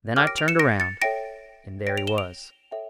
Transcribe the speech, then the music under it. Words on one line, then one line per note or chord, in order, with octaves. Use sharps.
Then I turned around and there he was.
G4 A#4 C#5 G5 D6 F6
A#6 D7
D7 F7
C#7 E7
A#6 D7
A6 C#7
A4 C#5 E5 G5 A#6 D7
C#5 G5 A#6 D7
D7 F7
E7 G7
D7 F7
A4 C#5 E5 G5